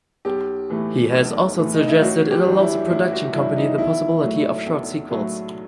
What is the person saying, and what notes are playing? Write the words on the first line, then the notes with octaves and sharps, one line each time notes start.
He has also suggested it allows the production company the possibility of short sequels.
B1 G4
A2 E3 A3
B1
A2 E3 A3
D#4
E4
A1 F#4
G4
G2 E3
E4
A1 E4
F#4
G2 E3 E4
D#4
B1 E4
A2 F#3 A3
B1
A2 F#3 A3